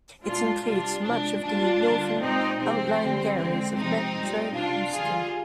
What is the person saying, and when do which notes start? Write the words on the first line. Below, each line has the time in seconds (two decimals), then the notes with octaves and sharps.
It includes much of the northern outlying areas of metro Houston.
0.24 A#2 G#3 D4 F4
0.63 C3 G3 D4 F4
1.02 C3 F3 G#3 D4
1.41 A#2 G3 D4 F4
1.81 D3 G3
2.19 A#2 G#3 C4 D#4
2.58 C3 F3 G#3 C4
2.97 D3 G3
3.36 D3 G#3 C4
3.75 C3 F3 G#3 C4 D#4
4.15 A#2 G3
4.54 C3 G3 D4 F4
4.92 D3 G3 F4 G#4